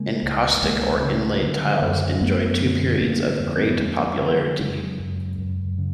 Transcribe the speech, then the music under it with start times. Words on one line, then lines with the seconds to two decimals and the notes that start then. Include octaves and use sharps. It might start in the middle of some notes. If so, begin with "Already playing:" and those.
Encaustic or inlaid tiles enjoyed two periods of great popularity.
Already playing: C#3 G#3 A#3
0.23 C#2
0.62 C#2 G#3 A#3
1.02 C#3
1.42 D3
1.82 F#2
2.21 F#2 A3 B3
2.61 D3
3.01 D3 A#3 C4
3.40 F2
3.59 C4
3.70 B3
3.80 F2 G#3 A#3
4.20 D3
4.59 C#3 F#3 G#3
5.00 F#2
5.38 F#2
5.78 C#3